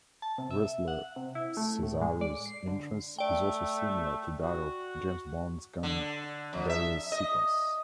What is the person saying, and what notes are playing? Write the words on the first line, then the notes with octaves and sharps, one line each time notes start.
Wrestler "Cesaro"'s entrance is also similar to that of James Bond gun barrel sequence.
A5
C3
E5
F#5
C3
E4
A3
A2
G#3
D5
C7
D3
A3 D5 G5
F#4
D3
F2
E5
D#5